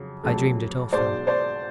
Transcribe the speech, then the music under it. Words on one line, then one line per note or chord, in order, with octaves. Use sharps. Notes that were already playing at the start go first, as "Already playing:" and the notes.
I dreamed it often.
Already playing: F2 C#3 F#3
F2 C#3 F#3 A3
B1 B2 G#3 C5 D5
C5 D5